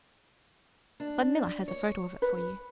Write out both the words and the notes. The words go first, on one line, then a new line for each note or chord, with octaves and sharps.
Ludmilla has a photo of it for you.'
D4
C#5
B4